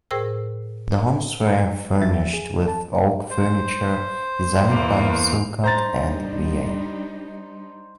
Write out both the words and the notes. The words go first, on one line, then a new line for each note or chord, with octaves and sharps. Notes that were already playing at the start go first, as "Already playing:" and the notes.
The homes were furnished with oak furniture designed by Silcock and Reay.
A2 G#4 A#4 C5 G5 E6
F3 E5 A6
G#4
A5
C5
E2 A#3
G3 D4 D#4 C5 A#5 A6